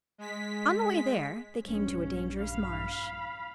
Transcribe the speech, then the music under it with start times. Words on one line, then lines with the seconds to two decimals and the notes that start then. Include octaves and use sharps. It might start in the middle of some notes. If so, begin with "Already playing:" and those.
On the way there they came to a dangerous marsh.
0.18 G#3 B6
1.65 A#1 G2 C#4
2.42 F5 B5